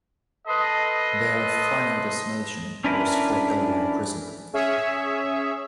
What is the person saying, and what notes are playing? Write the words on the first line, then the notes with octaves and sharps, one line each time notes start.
Their final destination was Fort Delaware Prison.
A4 B4 C5 D#5
C#4 D4 E4 A#4 B4
C#4 G#4 C#5 E5